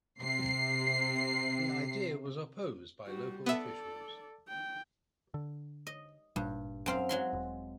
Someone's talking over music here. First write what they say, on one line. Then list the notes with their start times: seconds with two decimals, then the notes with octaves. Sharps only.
The idea was opposed by local officials.
0.19 C3 C7
3.07 G3 F#4
3.46 B3 A4 D5 E5
4.48 G5
5.34 D3
5.87 D#5
6.36 G#1 G2 A#2 G3
6.86 F#2 C4 F5
7.09 F#3 G#3 C6
7.33 E1